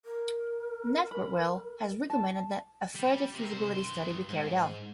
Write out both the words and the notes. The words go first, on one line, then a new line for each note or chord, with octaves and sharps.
Network Rail has recommended that a further feasibility study be carried out.
A#4
B5
A5
G3
C3 A#3
C2 C5
G2 C6
G#2